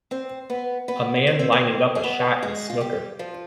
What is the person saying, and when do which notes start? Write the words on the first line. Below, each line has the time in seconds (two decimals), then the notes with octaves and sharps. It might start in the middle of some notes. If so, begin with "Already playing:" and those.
A man lining up a shot in snooker.
0.11 C4 C5
0.50 B3 B4
0.88 B3 B4
1.27 C4 C5
1.39 C4 C5
1.52 C4 C5
1.95 G#4
2.04 B3 B4
2.42 G#3 G#4
2.70 F4
2.81 G3 G4
3.19 F3 F4